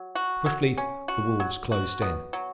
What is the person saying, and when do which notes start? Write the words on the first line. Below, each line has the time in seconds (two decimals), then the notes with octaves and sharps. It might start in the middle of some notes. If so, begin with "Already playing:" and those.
Swiftly the wolves closed in.
Already playing: F#3
0.15 F#4
0.46 F#3
0.78 C#4
1.08 F#4
1.40 F#3
1.72 F#4
2.02 B2
2.33 F#3